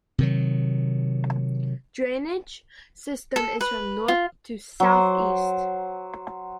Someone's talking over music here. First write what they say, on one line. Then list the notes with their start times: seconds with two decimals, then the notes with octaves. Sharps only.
Drainage system is from north to south-east.
0.18 C3 D#3 F#3
3.36 A4
3.61 B4
4.08 F4
4.80 F#3 C5